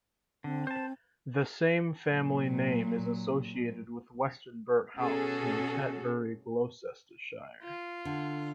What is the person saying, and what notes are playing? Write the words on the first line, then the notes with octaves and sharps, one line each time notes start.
The same family name is associated with Westonbirt House near Tetbury, Gloucestershire.
D3 C4
C5 A5
A#2 F#3
B2 C#4 F#4 G#4 A4
F4
D3